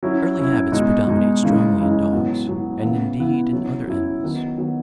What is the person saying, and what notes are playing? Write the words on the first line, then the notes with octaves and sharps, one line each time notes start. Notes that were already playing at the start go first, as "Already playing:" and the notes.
Early habits predominate strongly in dogs, and indeed in other animals.
F#3 C#4 E4
F#3 C#4 E4
B2 G#3 D#4
B2 G#3 D#4
C#3 E3 G#3 D#4
C#3 E3 G#3 D#4
A2 F#3 B3
A2 F#3 B3
C#3 E3 B3 E4
C#3 E3 B3 E4
F#3 C#4 E4
F#3 C#4 E4
D#3 F#3 B3 D#4
D#3 F#3 B3 D#4